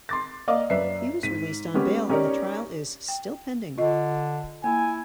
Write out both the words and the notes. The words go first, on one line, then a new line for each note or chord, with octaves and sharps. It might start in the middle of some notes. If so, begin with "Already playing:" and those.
He was released on bail and the trial is still pending.
C6 D6 A6
A#3 D5 D#5 F5 D6
F#2 B4 D5 E5 C7
G#2 B6 D#7
G#3 B3 C#4 G4
C#4 D#4 G4 A#4 C#5 D5
G5
D3 F4 D#5
A#3 E4 G#5